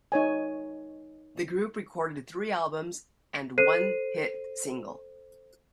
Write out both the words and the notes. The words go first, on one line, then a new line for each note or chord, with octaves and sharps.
The group recorded three albums and one hit single.
D#4 C#5 G#5
A4 C5 C7 D#7